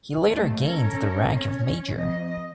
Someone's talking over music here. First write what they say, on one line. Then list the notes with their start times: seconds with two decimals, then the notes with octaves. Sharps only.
He later gained the rank of Major.
0.26 D#2 A3
0.64 C#4 A4 A#4
1.36 C#4
1.95 F2 D#5